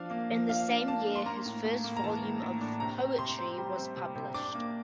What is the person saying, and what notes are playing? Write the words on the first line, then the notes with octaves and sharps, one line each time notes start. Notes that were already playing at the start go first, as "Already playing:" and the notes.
In the same year his first volume of poetry was published.
Already playing: F3 D4 F5
A#3
F3
D4 F5
D4
A#3 A5
D4
C6
A#3 A#5
A2
A2
A#3
A#5
E3 A5
A#3
A2
D4
C3 A#5
C4
C3 C6
C4
G3
C4
C3
C3
D4 D6
A#3